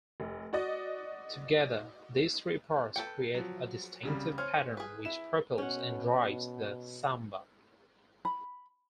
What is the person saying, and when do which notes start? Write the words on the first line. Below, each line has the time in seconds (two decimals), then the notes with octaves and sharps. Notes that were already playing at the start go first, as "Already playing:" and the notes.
Together these three parts create a distinctive pattern which propels and drives the samba.
0.20 F1
0.53 F#4 D5 D#5
2.96 A4 B4 G5 C#7
3.35 F3 F#3
4.03 C2 C#3 G3
4.38 C#4 C5 F6 G#6
4.77 G#4 B4
5.05 E4 E7
5.58 B2 C#4 F#5
8.25 B5